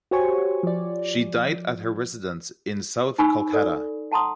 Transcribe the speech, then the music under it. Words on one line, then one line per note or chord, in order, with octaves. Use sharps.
She died at her residence in south Kolkata.
F#4 G4 C5 C#5 G#5 C#6
F3 D5
D#4 G#5 B5 C#6 E6
A4 D5
F#5 A5 A#5 C6 D#6